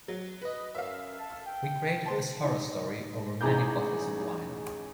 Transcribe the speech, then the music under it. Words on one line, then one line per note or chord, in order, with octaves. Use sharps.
We created this horror story over many bottles of wine.
F#3
B4 D#5
F#2 E5 F5
A4 A5
G5
G#3 C5 A5
D#4
A1 D#4 G#4 A#5 D6 G6